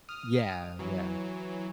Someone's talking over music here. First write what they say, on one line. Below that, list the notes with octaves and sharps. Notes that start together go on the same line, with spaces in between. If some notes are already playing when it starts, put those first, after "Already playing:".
Yeah, yeah.
D#6 F6
E3 F#3